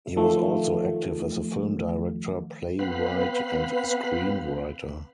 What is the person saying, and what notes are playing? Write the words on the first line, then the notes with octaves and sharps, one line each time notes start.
He was also active as a film director, playwright and screenwriter.
D#3 F3 A3
B3 C4 B4 F5 B5